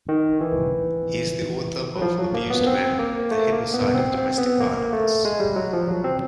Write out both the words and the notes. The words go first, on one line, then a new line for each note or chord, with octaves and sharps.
He is the author of "Abused Men - The Hidden Side of Domestic Violence".
D#3
E3
F#3
F3
F#3
A#3
B3
C4
A#3
A3
A#3
B3
C4
C4
B3
A#3
A3
G#3
G3
F#3
F3
F#3
C4